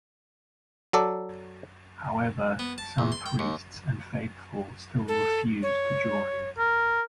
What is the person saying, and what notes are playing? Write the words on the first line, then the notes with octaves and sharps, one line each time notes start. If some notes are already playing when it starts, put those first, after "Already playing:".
However, some priests and faithful still refused to join.
F#3 A4 D5
B3
A5
E2
C6
G5
D#2
A4
C#5
A#4